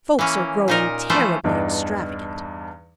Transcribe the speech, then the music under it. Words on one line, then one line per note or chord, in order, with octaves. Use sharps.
"Folks are growing terribly extravagant."
E3 A#3 C#4
A#2 D#4 A#4
E3 F3 A3 C#4 C5
E2 G2 E3 D4 D#4